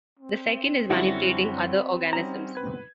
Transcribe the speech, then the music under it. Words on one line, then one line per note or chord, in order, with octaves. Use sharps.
The second is manipulating other organisms.
C4
F#2 D3 G3 B3 C#4 E4 F#4 F#5
G3 C#4 D#4 A#5
B4 G#6